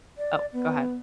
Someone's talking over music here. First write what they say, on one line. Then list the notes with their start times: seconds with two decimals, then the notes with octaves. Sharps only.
Oh, go ahead.
0.18 D5
0.53 B3